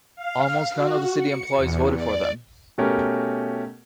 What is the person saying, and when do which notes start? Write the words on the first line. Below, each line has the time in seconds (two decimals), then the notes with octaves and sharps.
Almost none of the city employees voted for them.
0.16 F5
0.74 F#4
1.17 C#7
1.57 E2
1.96 D5
2.78 B2 A3 C#4 G4 A#4